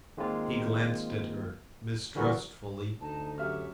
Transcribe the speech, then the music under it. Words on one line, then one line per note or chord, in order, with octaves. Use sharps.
He glanced at her mistrustfully.
D#3 G#3 A#3 C4 F4
D3 E3 G3 F#4 A#4 B4
D2 D#4 A5
F#2 C#4 G4 E5 F6